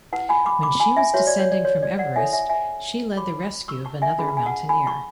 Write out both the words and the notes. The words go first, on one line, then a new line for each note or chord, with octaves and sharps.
When she was descending from Everest she led the rescue of another mountaineer.
E4 B4 F#5 A5
G#5 B5
B5 D6
B5 D6
G#5 B5
E5 G#5
F#4 B4 C#5 E5
D5
C#5
D5
C#5
D5
D5 F#5
E4 A4 C#5 E5 G#5
E5 G#5
E5 G#5
F#4 C#5 B5 D6
C#6 E6
A5 C#6
E5 G#5
C#4 G#4 B4 B5
A5
G#5
F#5 A5
G#5 B5
A5 C#6